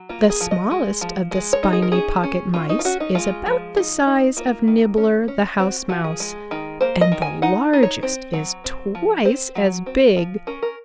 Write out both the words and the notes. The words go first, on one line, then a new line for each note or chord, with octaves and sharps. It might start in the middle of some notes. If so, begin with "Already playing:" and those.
The smallest of the Spiny Pocket Mice is about the size of Nibbler the House Mouse and the largest is twice as big.
Already playing: F#3
A#3 F4
G#4
F3
D#5
G#3
F3
G#3
C#5
D#4
G#4
A#4
C#4 G#4
C#4
C#4 F4
D#4
F4
C#4 F#4
D#4
G#3 F4
F3
D#4
D#4
A#3 F4
D#3
C#4
C#4
C4 F#4
F3 F#4
G#4
G#3
D#3
A#3 C5
D#5
D#3
G#5
D#4 F#5
D#4
C#5
C4
F#3
C4
F3
C4 C5
F#3
C4
F3
C#4 A#4
A#4